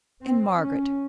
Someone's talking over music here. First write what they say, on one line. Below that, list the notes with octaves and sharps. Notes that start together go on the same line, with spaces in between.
And Margaret?
C4
C#4